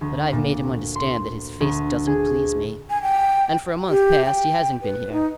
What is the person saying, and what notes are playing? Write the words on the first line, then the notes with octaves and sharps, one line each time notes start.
But I've made him understand that his face doesn't please me, and, for a month past, he hasn't been here.
D2
A#2
C6
D2
G#4
G#5
G5
G4
G5
B4
D#4